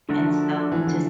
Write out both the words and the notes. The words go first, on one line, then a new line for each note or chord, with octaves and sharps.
And so to
D3 F3 A3 D4 F#4 A#4
E3
D3